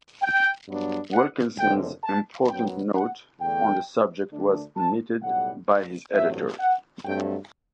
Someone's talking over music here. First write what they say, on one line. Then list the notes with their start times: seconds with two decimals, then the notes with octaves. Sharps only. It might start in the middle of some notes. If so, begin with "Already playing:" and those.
Wilkinson's important note on the subject was omitted by his editor.
0.22 G5
0.68 G2 F#3 B3 D4
1.13 F#5
1.58 F#1 F#2 D3 A3 C4 G5
2.04 A5
2.49 F#2 F#3 B3 G5
2.95 F#5
3.40 E2 D3 A3 D4 G5
4.31 D2 D3 A3 D4
4.77 A5
5.22 B1 A2 G3 F#5
6.13 A1 G2 F#3 C4 E5
6.59 F#5
7.04 G2 F#3 A3 C4 G5